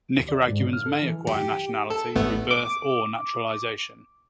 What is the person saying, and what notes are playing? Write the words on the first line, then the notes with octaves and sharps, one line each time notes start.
Nicaraguans may acquire nationality through birth or naturalization.
D#2
D5
G#2
C#3
F6
A4
E3
G4
A4
A1 A3 B3
D6